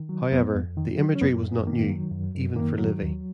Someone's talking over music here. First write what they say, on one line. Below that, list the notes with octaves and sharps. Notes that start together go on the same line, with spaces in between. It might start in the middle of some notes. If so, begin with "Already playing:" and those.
However, the imagery was not new, even for Livy.
Already playing: D#3
F#3
F2 B3
F2
D#3
F#3
C#4
F#2 B3
A#3
F#2
B3
D#3 A#3
F#3
F#2
F#2
D#3 A#3
F#3
D#2